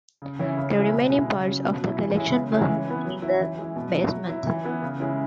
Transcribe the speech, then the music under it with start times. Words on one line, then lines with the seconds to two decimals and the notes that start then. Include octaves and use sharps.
The remaining parts of the collection were hidden in the basement.
0.22 C#3
0.39 E3 C#4 E4
0.57 C#3
0.75 G#3 C#4 E4
0.93 B2
1.10 G#3 E4
1.28 C#3
1.46 F#3 C#4
1.64 B2
1.81 F#3 E4
1.98 E3
2.17 G#3 C#4 E4
2.34 C#3
2.52 G#3 C#4 E4
2.69 E3
2.87 B3 E4
3.05 F#3
3.22 C#4 E4
3.41 E3
3.58 G#3 E4
3.76 B2
3.94 F#3 E4
4.11 F#3
4.29 E4
4.47 E3
4.64 B3 E4
4.82 C#3
5.00 G#3 C#4 E4